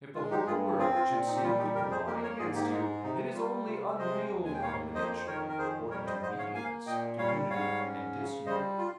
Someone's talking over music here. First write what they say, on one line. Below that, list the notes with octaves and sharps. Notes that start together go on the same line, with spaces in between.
If the whole world should seem to combine against you, it is only unreal combination, or intermediateness to unity and disunity.
G#3 F4
D#4 G4
G2 F4 G#4
C4 F4 G#4
F4
A#2 F4
D#4
G4
G3 F4
D#4 G4
F2 G4 A#4
G#4 C5
A#3 G4 A#4
A#4 C#5
G#2 F4 G#4
D#4 G4
G#3 D#4
C3 D#4
G3 F4
C3 F4
G#3 C5 D#5
D#2
G#5
G5
A#3 C#5 F5
F2 C5 D#5
C5
D#3 A#4 C#5
A#4
F2 G#4 C5
G3 A#4 C#5
C5 D#5
G#2 C5 D#5
C#5 F5
A#3 F5 G#5
A#2 D#5 G5
G3 C#5 F5
G#2 C#5 F5
C#4
C#3
G3 C5 D#5
F4